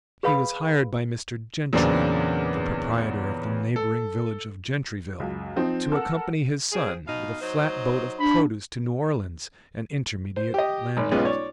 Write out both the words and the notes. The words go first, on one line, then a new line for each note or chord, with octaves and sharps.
He was hired by Mr. Gentry, the proprietor of the neighboring village of Gentryville, to accompany his son with a flat-boat of produce to New Orleans and intermediate landings.
G#4 B4 C#5 F5 B5 D#6
E2 A#2 C#3 F#3 C4 D4
A4
C#2 F#2
F3 C4 D#4
A4 A#4 F#5 E6
F3 C4 G#4
B2 D#4 F5
F#3 D#4 C5
D4 B5
C5
G4 D#5
G#1
B1 G#3 B3 C#4 F4
C#5 D5